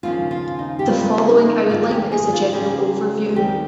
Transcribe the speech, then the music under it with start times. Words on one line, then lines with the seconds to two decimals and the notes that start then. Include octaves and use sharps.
The following outline is a general overview.
0.03 D#2 C#3 F3 A#3 C#4 F4
0.31 F4
0.59 D#4
0.79 G4
0.86 C#3 G3 C4 F4
1.28 D#4
1.69 G#2 D#3 A#3 F4
1.90 G4
2.12 G#4
2.33 F4
2.52 C#3 F3 A#3 C#4 G#4
3.36 D#2 D#3 G3 C4 G4